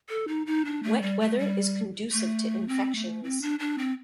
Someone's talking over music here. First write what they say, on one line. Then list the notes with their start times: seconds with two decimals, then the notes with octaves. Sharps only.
Wet weather is conducive to infections.
0.09 A4
0.28 D#4
0.47 D#4
0.65 D4
0.83 A3
1.02 G3
1.20 A3
1.39 G3
2.12 A3
2.68 C4
2.96 A3
3.23 C4
3.42 D4
3.60 D4
3.78 C4